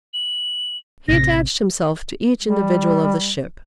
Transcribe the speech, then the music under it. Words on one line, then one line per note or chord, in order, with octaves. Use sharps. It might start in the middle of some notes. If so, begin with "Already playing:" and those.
He attached himself to each individual of the ship.
F#7
A1 C3 A#6
G3